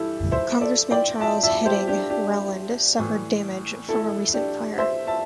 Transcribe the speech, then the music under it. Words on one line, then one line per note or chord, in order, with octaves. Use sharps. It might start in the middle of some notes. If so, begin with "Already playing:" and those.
Congressman Charles Hedding Rowland, suffered damage from a recent fire.
Already playing: G2 E3 E4 G4 A4
C5 E5
A4 D5
D5 G5
E5 A5
E5 A5
G4 C5
D4 G4
D4 G4
A2 E3
E4 A4
D4 G4
C5 E5
E5 A5